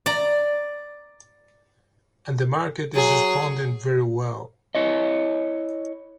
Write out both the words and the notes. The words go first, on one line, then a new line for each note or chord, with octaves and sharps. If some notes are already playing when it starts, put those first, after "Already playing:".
And the market is responding very well.
D5 A#5
F#3 G#4
E4 C#5 D#5